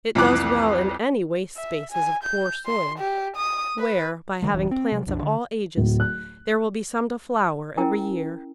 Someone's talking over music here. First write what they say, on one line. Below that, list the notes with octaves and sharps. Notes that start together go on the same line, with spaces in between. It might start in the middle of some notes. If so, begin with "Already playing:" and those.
It does well in any waste spaces of poor soil, where, by having plants of all ages, there will be some to flower every year.
C2 F2 E3 D6 F#6
E5
G#5
G6
C6
G4
D#6
B4
D3 D#3 G#3
D#1 G2 E3
C4
C3 F#3
B1 F2 C#4 D4
D3
D1
F#6
C#4 E4 A#4 G5 G#5